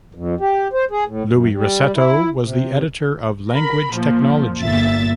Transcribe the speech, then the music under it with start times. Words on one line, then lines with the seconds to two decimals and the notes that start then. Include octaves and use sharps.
Louis Rossetto was the editor of Language Technology.
0.15 F2
0.40 G4
0.73 C5
0.91 G#4
1.07 A2
1.29 F#2
1.53 G3
1.95 E4
2.41 C3
3.50 A#4 B5
3.94 A#2 F3
4.63 G1 A#2 E5 A6